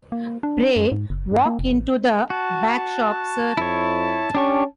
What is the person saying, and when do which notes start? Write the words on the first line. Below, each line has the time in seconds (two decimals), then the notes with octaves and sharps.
Pray walk into the back shop, sir.
0.12 A#3
0.43 D4
0.76 F#2
0.92 G#2
1.10 F#1
1.31 G2
1.46 A#3
1.59 F1
1.71 A1
2.30 F#4 A5
3.57 F2 E4 C#5
4.35 C#4 D4 G4 C#6